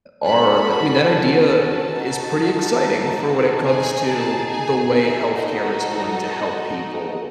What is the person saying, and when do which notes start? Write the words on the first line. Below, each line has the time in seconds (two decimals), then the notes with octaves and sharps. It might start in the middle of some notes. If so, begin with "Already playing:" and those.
are I mean, that idea i is pretty exciting for when it comes to the way health care is going to help people,
0.24 C#4 F#4 A4 B5
1.09 A5
1.94 D#4 F#4 A4
3.64 D#4 G#4 G#5
4.08 A5
4.50 G#5
4.92 E5
5.35 D#4 F#4 A4 D#5